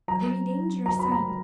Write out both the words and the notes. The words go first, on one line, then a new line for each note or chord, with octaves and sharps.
'A very dangerous sign!
F#3 A#5
A#5
B5
A#5